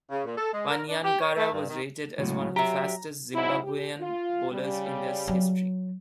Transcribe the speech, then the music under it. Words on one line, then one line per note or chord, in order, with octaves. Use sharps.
Panyangara was rated as one of the fastest Zimbabwean bowlers in their history.
C#3
A#2
A4
G#3
A#4
D4
G4
C#5
A3
G2
D#3
C#2 A2 C#3 F#3
G4 E5 A#5
G#2 F#3 E4
G4
F4
C#3 G3
F#3